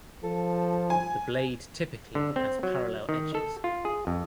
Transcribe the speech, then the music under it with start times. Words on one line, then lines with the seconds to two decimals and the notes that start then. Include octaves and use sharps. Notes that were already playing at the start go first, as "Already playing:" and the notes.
The blade typically has parallel edges.
0.24 F3 A4
0.90 G#5
2.15 D3
2.36 C4
2.63 F#3
3.09 D#3
3.35 A4
3.64 F4
3.85 G#4
4.07 F2